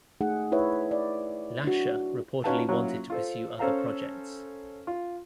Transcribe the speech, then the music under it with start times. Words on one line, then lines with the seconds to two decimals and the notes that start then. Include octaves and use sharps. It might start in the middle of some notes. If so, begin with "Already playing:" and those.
Lascher reportedly wanted to pursue other projects.
0.21 A3 D#4 G#4 F#5
0.52 E4 B4 C#5 E5
0.91 D5
1.64 D4 F#4
2.44 C#4 D#4 F#4 B4 F5 A5
2.69 F#3 A#3 C#4 E4 F4
3.10 F4 A4 C5
3.59 C#4 A4 C5 F5 A#5
4.87 F4